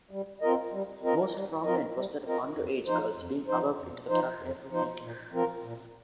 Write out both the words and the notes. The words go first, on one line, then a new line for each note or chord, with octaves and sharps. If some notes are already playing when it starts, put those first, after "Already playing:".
Most prominent was that of underage girls being allowed into the club every weekend.
G3
C4 F4 A#4 D#5
G3
C4 F4 A#4 D#5
G3
C4 F4 A#4 D#5
G3
C4 F4 A#4 D#5
F2
F3 D#4 C5
F2
F3 D#4 C5
F2
F3 D#4 C5
F2
F3 D#4 C5
A#2
F3 C4 F4 A#4
A#2